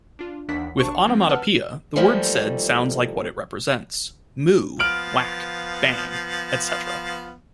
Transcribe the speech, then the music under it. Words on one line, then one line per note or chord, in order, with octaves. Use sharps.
With onomatopoeia the word said sounds like what it represents: Moo, Whack, Bang, etc.
D4 F4
D#2 E3 D4 F#5 B6
A#1 D4 C5 A5 C#6
F3 G#3 C4
B4 F#5 A5 E6 F6
E3 F3 G3 A3 A#3 D#4
F3 B3 F5 F6 D7 F#7